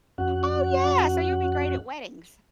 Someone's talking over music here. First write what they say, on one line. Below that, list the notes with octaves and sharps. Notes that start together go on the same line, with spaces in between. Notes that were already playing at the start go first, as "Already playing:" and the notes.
Oh yeah, so you'll be great at weddings.
F2 C#4 F#4 F#5